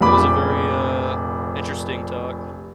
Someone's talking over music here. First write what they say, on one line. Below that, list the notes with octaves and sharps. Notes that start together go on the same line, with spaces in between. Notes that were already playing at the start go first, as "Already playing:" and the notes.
That was a very, uh, interesting talk.
F1 A#1 B5 D6